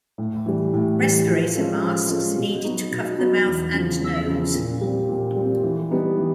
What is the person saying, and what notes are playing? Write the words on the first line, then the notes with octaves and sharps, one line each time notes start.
Respirator masks needed to cover the mouth and nose.
A2
E3 G3
A2
E3 G3
F3
G#3 C#4 F4 A4
F3
G#3 C#4 F4 A4
B2
F#3 B3 D#4 F#4
B2
F#3 B3 D#4 F#4
E2
C#3 F3
E2
C#3 F3
A#2
G3 C4
A#2
G3
C4
E3
G3 B3 D#4
E3